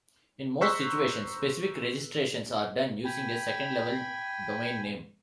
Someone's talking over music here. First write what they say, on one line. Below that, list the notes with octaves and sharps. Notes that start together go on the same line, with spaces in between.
In most situations, specific registrations are done using a second level domain name.
C5 A#5 C#6 E6 F#6 B6
G5 G#5 B5